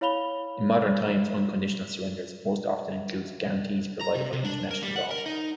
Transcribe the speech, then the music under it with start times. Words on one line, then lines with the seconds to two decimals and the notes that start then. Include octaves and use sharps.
In modern times, unconditional surrenders most often include guarantees provided by international law.
0.01 E4 C#5 F5 B5 F7 G7
4.01 A#5
4.15 C3
4.33 C3
4.44 D4
4.71 A#4
4.83 G3
4.96 F#5
5.11 A#4
5.26 D#4